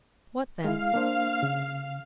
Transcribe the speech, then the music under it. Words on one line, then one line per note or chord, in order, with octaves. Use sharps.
"What then?"
G#3 E4 F5
A#3 D4 C5
C#3